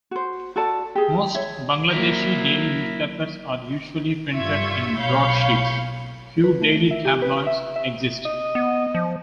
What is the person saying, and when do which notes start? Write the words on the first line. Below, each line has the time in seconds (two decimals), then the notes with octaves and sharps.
Most Bangladeshi daily newspapers are usually printed in broadsheets; few daily tabloids exist.
0.11 F#4 C5
0.56 F#4 A4 D5 A5
0.95 G4 G#4
1.35 C#5 E5
1.91 F#3 A#3 E4 A#4
4.33 G2 F4 E5 C#6 G#6
4.99 B1 C#5 F5 B5 G6 C#7
6.44 B4
6.62 A3
6.91 E5
7.05 G4
7.22 B4
7.47 E5
7.76 E5
8.25 D#5
8.55 B3
8.95 F3